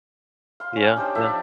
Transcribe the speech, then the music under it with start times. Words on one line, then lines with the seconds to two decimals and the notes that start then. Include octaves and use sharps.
Yeah, yeah.
0.60 F5 C6
0.76 C#4
0.96 D4 D#4 G4 C5
1.15 F3 D4 E5